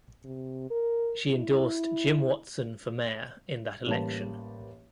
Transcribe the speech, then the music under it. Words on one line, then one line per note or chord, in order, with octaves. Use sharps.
She endorsed Jim Watson for mayor in that election.
C3
A#4
E4
A1 G3 A#3 G4 B4 A5